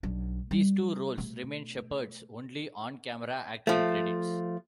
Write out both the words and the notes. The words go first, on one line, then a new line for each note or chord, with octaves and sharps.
These two roles remain Sheppard's only on-camera acting credits.
B1 D4
G3
B2 A3
F3 A3